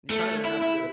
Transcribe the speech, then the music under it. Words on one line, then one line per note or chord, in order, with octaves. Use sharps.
you kind of have to
A3
E4
E4